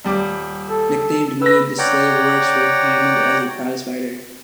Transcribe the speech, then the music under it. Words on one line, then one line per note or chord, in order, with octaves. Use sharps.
Nicknamed "Mede", the slave works for Hammond as a prize-fighter.
D#1 G3 D6
A4
B4 E6 A#6
C#5 D5 F#5 G5 A#5